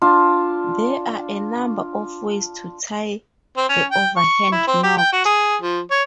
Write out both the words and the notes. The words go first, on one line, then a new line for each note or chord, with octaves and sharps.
There are a number of ways to tie the Overhand knot.
D4 F4
C4
C#4
G5
C#6
E4
C4
G4
G5
F#4
G#4
F3
C#5